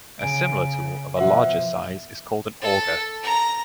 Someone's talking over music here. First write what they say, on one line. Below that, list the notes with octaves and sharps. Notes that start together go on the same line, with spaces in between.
A similar tool of larger size is called an auger.
C#3 G#5 D7
B2 F3 E5 F#5
A4
A#5